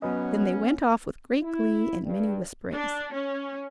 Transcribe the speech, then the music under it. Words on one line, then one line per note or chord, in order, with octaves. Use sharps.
Then they went off with great glee and many whisperings.
F#3 B3 C#4 B4 D#5
E4
G2
D4
C#4